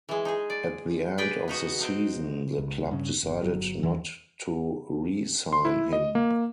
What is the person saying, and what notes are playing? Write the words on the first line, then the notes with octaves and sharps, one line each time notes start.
At the end of the season, the club decided not to re-sign him.
E3 G#3
D#4 G#4
D5
G#4 B4 D5 G5
B3 D#4 F#4
C4 D#4
C#2
G2 C#3
G1
G1 F#3
E2 E3 G3
C6
E4
D#5
A#3